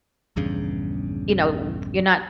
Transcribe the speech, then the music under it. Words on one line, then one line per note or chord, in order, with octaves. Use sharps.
you know, w you're not
A#1 E2 G2 C#3